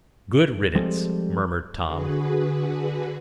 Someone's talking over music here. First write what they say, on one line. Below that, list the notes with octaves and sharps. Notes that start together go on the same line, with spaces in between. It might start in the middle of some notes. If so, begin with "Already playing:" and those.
"Good riddance," murmured Tom.
F3 G3 G#3 C4 A4 C5
D3 F#4 G#4 B4